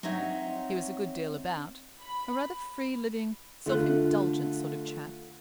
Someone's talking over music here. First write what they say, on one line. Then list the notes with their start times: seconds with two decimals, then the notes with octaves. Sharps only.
He was a good deal about--a rather free-living, self-indulgent sort of chap.
0.03 C4 D#4 C#5 E5 F#5
2.03 B5
3.66 D3 A3 F4 F#6